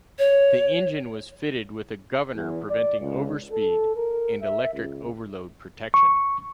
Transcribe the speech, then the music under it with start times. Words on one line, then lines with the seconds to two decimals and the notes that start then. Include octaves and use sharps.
The engine was fitted with a governor preventing overspeed, and electric overload protection.
0.19 C#5
2.34 E2
2.69 D5
3.00 C#2
3.51 A4
3.96 A#4
4.40 E5
4.73 C#2
5.94 C#6